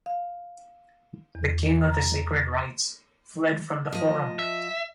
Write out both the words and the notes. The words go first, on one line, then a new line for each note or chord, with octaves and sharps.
The King of the Sacred Rites fled from the forum.
F5
E2
A#5
F3 D#5
E5